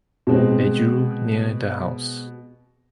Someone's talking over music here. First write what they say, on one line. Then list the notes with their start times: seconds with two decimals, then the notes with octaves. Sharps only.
They drew near the house.
0.27 B2 G#3 C4